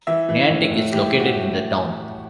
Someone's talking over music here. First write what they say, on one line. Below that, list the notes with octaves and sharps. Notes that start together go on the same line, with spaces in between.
Niantic is located in the town.
E3 E5
E3
A2
A2
E3 G4
E3
F#4
A2